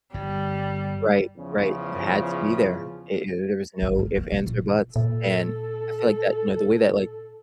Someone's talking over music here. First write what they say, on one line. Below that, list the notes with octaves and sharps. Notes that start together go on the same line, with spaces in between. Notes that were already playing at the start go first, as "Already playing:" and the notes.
Right, right, you had to be there, it there there was no if, ands, or buts, and I feel, like, that you know, the way that, like,
G1 G2 G3
E2 C#3 F3
G#1 G2
C3
A#3
C3
A#2
A#2 A4